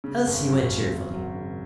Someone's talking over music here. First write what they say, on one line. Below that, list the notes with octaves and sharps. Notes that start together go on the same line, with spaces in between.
Elsie went cheerfully.
C#3
G#1
F#2
G#1
G#1
F#3
C#3